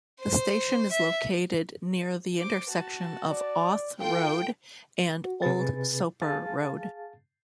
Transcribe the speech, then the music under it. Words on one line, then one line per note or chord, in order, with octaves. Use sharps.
The station is located near the intersection of Auth Road and Old Soper Road.
C5
E5
C5 D6
F#4 A5
D5
F4 A4 G5 C6
F#4
C3 G#4 B4 A6
G#4 F5 A5 A6